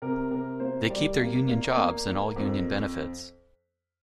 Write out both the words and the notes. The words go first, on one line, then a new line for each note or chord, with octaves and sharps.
They keep their union jobs and all union benefits.
C3 A#4
C3 A#4
A#3 C5
G3 D5
A#3
A#3
A#3
A#3
F2